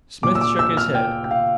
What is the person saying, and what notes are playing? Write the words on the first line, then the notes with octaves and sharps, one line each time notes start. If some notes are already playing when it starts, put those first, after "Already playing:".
Smith shook his head.
A#2 D6
E6
D6
E6
F6
G5
G5
F5